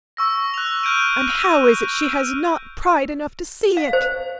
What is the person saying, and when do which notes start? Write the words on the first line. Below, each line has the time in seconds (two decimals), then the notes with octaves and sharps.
And how is it she has not pride enough to see it?
0.17 C#6 E6 A#6
0.54 F#6 F7
0.83 F6 G6 D7 D#7
3.77 F5
3.93 C5